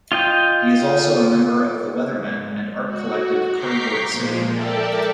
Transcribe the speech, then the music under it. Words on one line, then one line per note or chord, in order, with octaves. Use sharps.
He is also a member of The Weathermen and art collective Cardboard City.
F4 D#5 G5
G#2
F#4
A#5 C#6 D6 G6 B6 C7
A#2 F3 G#3
A4 A#4 D5 E5 G5 A5